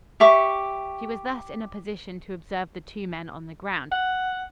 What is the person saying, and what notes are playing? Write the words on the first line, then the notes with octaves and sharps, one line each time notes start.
She was thus in a position to observe the two men on the ground.
G4 E5 C#6 D6
F#5